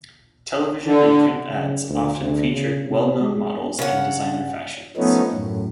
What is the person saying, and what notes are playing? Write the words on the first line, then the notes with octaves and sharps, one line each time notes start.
Television and print ads often featured well-known models and designer fashions.
D3
C#3
D2
D2
C#3
C3
G#3
C#3 F#5
F3 A3 B3 C#4 D#4
F#2 A2